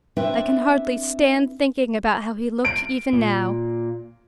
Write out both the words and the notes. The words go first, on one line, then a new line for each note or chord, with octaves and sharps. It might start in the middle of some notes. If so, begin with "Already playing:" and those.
I can hardly stand thinking about how he looked even now.
C4 D4 E4 B4 E5
D7
A#2